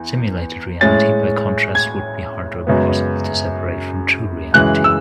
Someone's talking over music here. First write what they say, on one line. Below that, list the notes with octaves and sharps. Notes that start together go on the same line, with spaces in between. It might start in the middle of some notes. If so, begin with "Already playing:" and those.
Simulated reality, by contrast, would be hard or impossible to separate from "true" reality.
Already playing: E2
A2 G#3 C#4 A6
G#6
F#2 C#3 G#3 B3
F#2 C#3 E3 G#3 F#6
E6